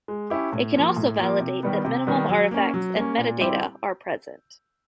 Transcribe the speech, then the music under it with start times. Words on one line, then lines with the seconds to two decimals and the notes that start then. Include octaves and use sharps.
It can also validate that minimum artifacts and metadata are present.
0.08 G#3
0.30 C#4 E4 G4
0.53 A2
0.74 F3 A#3
0.96 A2
1.19 F3 A#3
1.40 C3
1.63 D#3 G3 B3
1.85 C3
2.07 D#3 G3 B3
2.29 F#3
2.51 A#3 C#4
2.74 F#3
2.95 A#3 C#4
3.18 A#2
3.40 G3 C4 E4 G4